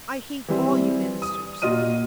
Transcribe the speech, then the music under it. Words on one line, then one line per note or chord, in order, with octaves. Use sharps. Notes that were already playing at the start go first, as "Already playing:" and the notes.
I hate all you ministers.
E3 G3 C4
D#6
A#2 F4 F#4 D#5 F6 D#7